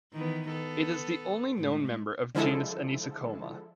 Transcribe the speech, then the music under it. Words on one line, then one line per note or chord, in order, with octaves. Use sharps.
It is the only known member of genus Anisocoma.
D#3 E3 B3
B3 A4
A2 G#3 A3
D3 F3 G#3 E4 A4